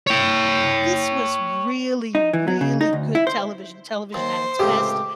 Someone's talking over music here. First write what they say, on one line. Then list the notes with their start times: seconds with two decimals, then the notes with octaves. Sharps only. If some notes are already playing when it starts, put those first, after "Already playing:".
this was really, really good television television at its best,
0.07 C#5 G5
2.15 D#4
2.33 E3
2.48 F#3
2.61 C#3
2.81 D#4
2.93 D2
3.15 E4
3.27 C5
4.14 D#2 C5
4.59 C#2 A2 C3 G4 D6